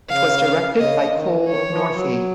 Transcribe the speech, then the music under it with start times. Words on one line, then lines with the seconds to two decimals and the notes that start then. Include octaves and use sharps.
It was directed by Cole Northey.
0.09 C#3 F5
0.79 C#3 D#5
1.13 D#3
1.47 D#3 C#5
1.70 F3
1.93 F#3